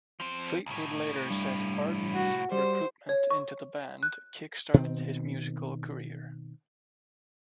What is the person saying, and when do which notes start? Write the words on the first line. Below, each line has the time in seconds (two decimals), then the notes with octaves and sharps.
Fleetwood later said Barden's recruitment into the band kick-started his musical career.
0.20 F3 C4
0.66 C2 A2
1.30 G2
2.14 F#4
2.52 G3 C5
3.09 C#5
3.30 C#6
4.03 F#6
4.74 B2 D#3 C4